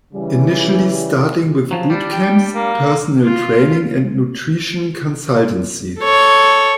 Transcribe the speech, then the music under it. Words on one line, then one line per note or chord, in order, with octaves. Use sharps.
Initially starting with boot camps, personal training and nutrition consultancy.
C#3 E3 G3
F3 F#3
G3 D4
G5
A#3
F4
A4 C#5